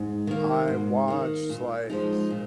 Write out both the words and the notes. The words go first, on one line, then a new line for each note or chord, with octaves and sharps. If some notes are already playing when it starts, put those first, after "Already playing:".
I watched like,
Already playing: G#2
D#3 A#3
G#2
D#3 A#3
A#2
F3 G#3 D#4
A#2